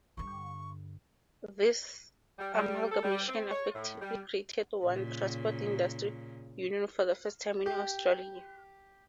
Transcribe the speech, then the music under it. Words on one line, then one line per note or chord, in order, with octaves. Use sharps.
This amalgamation effectively created one transport industry union for the first time in Australia.
G2 D3 C#6
G3
G3
A4
G3
C4
C#5
A2
G3
A#2 C#3
G4